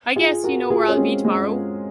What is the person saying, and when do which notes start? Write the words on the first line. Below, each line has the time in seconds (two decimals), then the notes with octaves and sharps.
I guess you know where I'll be tomorrow!
0.16 F4 G#4
0.43 F#4 A#4
0.70 F4 G#4
0.88 C#4
0.97 G#3 C4
1.24 G#3 C4